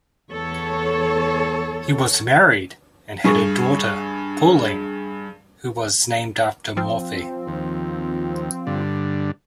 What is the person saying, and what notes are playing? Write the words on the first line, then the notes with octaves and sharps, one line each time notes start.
He was married, and had a daughter, Pauline, who was named after Morphy.
E2 A4 C#5
G2 G#4 C#6
F3 C4 F4
D#2
G2 D3